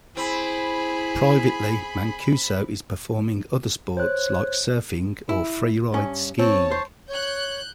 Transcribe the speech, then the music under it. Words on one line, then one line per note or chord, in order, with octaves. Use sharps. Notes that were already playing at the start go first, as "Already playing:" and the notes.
Privately Mancuso is performing other sports like surfing or freeride skiing.
C4 E4 G#4 B5
C5 C#5 F#6
E4
G2 C#4
C4 C#5 A5
C5
C#5 F#6 G6